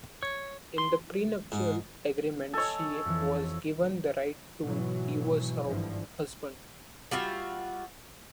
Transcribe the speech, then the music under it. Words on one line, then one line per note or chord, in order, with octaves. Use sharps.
In the prenuptial agreement she was given the right to divorce her husband.
C#5
C6
G#2
A4 C#5 D#5 G#5
F2 E3
G#2 B2 E3 F#3
G#1 G2 D3 E3 F3
G3 F4 F#4 E5